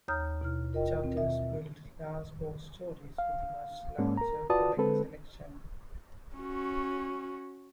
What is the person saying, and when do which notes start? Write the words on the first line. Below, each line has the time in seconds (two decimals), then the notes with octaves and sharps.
Chapters built large box stores with a much larger product selection.
0.08 D#2 C#5 A#5 D#6 F6 G6
0.41 B2 E4 F6
0.73 F4 A#4 D#5 G5
1.04 C4
1.17 B2 E5
3.18 F5
3.98 G#2 G#3 A#3 C#4
4.17 A#4 A#5
4.50 F4 F#4 B4 D5 A5 D#6
4.77 D3 G#3 C4 A4 B4
6.37 C#4 F#4